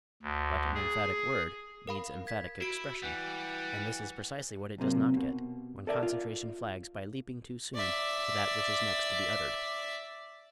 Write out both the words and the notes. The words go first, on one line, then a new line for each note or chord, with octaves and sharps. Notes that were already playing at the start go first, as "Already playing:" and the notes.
But an emphatic word needs emphatic expression, and this is precisely what it does not get when concentration flags by leaping too soon to that which is next to be uttered.
D2
G#4
A#4 F5 B5
G#6 B6
E4 F#4 D7
E3 G3 F#5
B1 F#2 C3 A#3
B2
A4 A#4 D5 E5
F4
D5 E5